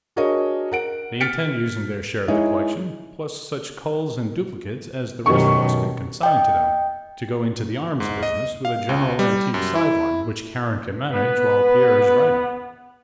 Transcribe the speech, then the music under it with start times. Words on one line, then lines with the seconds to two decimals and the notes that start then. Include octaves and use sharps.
They intend using their share of the collection, plus such culls and duplicates as the rest of us can consign to them, to go into the arms business, with a general-antique sideline, which Karen can manage while Pierre's writing....
0.16 D4 F#4 G#4 A#4 C#5 D#5
0.72 A#4 F#5 D7
1.20 F6 A6 B6 C#7 D7
2.28 G#3 D#4 E4 G#4 C#5 D#5
5.26 F#2 B2 D#3 G4 C#6
6.23 D#5 G5
8.00 G#2
8.23 D#5
8.65 F5
8.89 C#2
9.19 G3
9.54 F#2
9.75 E4
11.12 B3 B4